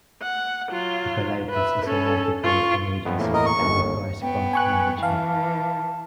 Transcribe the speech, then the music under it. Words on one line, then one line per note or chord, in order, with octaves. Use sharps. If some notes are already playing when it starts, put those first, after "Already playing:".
Typhlitis is a medical emergency and requires prompt management.
F#5
F#3 F4
B4 E5
C#4 A4
F4 C#6
F2 B3
E2 A2 A#3
A#4 D#5
C#6
G1 D#2
B3 G5
G#5 C#6 F#6
E3 F5 A5